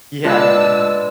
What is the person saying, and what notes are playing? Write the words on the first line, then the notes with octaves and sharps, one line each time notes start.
Yeah, no, yeah.
G#3 D4 F4 B4 A5 E6